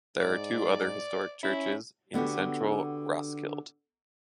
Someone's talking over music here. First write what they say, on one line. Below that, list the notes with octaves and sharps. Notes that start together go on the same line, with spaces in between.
There are two other historic churches in central Roskilde.
G#2 D5
C#4 E4
D3 B3 F#4 G4